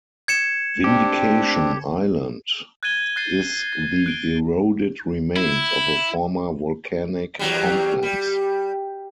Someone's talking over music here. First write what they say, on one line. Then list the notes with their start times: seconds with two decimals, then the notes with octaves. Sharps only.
Vindication Island is the eroded remains of a former volcanic complex.
0.28 G#6 C#7 E7
0.84 C4 D4 G4
2.83 F#6 G#6 A6 D#7 G7
3.16 F#6 G6 A6 C7 D#7
3.73 A6
4.06 F#6 D7 G7
5.37 E4
7.39 E2 F#3 G3
8.03 G3